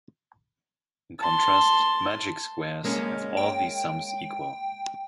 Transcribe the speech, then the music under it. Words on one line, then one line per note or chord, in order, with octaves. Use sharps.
In contrast, magic squares have all these sums equal.
A5 C6
G#3 A#3 C#4
G5